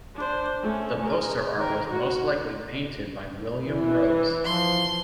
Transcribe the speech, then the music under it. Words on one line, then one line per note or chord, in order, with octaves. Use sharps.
The poster art was most likely painted by William Rose.
D4 C5
A3 C#4
G#4 A#4
D#3 A#4
F#4
E3
F3 C6